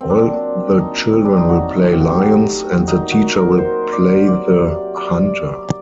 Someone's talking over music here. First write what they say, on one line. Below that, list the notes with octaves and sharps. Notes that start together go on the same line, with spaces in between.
All the children will play "lions" and the teacher will play the "hunter".
C4
A#2 F#3 D4
D#4
C4
D4
D#4
A2 F#3 F#4
A4
G4
F#4
G4
F#4
A#2 F#3 D#4
F#4
A#4
C5
D5
C3 F#3 D5
D5